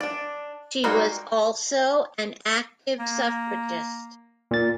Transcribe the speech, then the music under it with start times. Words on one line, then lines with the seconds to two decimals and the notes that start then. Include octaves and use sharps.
She was also an active suffragist.
0.01 D4 D5
0.84 G3 G#3 A#3 D#4 F#4
2.99 A#3
4.51 A#2 A6